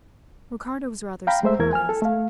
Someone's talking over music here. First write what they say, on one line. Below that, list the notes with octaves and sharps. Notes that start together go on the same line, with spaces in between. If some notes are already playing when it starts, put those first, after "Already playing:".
Ricardo was rather surprised.
F5 G5 A#5 B5
G#3 A3 C5 E5
E2 E4 A#4 G#6
G#5 F6
A4
A3 F5